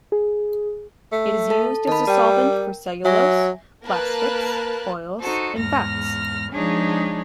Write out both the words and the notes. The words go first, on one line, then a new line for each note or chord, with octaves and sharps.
It is used as a solvent for cellulose, plastics, oil and fats.
G#4
A3
A4 A5
D#3 A5 B5
G3 A#4 G5
F#3 E5 G#5 A#6
A#3 A#4 B4 A5 F#6
D#4 F#4 A4 C5
E2 G#2 F6 A#6
F3 G#3 D4 D#4 G#4 C#5